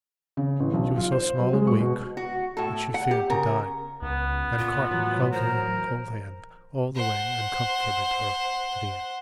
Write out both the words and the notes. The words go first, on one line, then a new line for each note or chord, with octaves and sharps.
She was so small and weak that she feared to die, and Carton held her cold hand all the way and comforted her to the end.
C#3
A1
B1
F4
C5
F#3
G#3
C#6
B2
F#4
A2 A4
F#5
G4
C#3 A#4
C#2 B3
A#2 F4
A2 E3 F#3
A#4 C5
C5 F#5